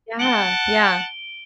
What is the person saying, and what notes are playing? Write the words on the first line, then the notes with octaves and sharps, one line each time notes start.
Yeah, yeah.
F#5 A5 D7 G7